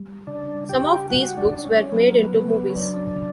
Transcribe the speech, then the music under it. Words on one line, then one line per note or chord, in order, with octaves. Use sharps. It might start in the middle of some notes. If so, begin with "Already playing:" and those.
Some of these books were made into movies.
Already playing: G3
C#3 D4
C#3 G4
G3 F#4
D4
G3
D4
C#4
F#3 B3
A#3
B3
C#3
C#4
F#3 D4
C#3